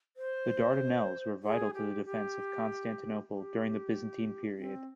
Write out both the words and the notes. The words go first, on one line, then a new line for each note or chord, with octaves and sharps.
The Dardanelles were vital to the defence of Constantinople during the Byzantine period.
C5
G#4
G4
G4
G4
C4